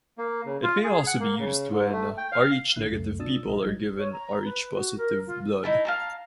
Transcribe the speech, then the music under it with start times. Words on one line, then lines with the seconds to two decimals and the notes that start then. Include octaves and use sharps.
It may also be used when Rh negative people are given Rh positive blood.
0.18 A#3
0.46 C#3
0.63 F4
0.84 G#4
1.07 F#5
1.20 A#3
1.39 C#3
1.71 G#2
1.92 A3
2.18 G5
2.32 F5
2.75 G#1 D3 E4 F#6 C7
2.90 C#2 F#2 A3
3.19 B2 D4 F4 D#6 E6 A6
3.46 A#1 D#5
3.62 A#1 F#3 D#4 G#6
3.98 C#5
4.12 A#5
4.45 B4
4.75 F#4
4.98 A#4
5.27 F4
5.63 D#4 E4 A5
5.85 F5 A5 A#5